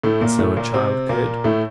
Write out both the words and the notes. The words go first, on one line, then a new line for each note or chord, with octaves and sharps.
And so a child could.
A2 A3
A#2 A#3
A2 A3
A#2 A#3
C3 C4
A#2 A#3
A2 A3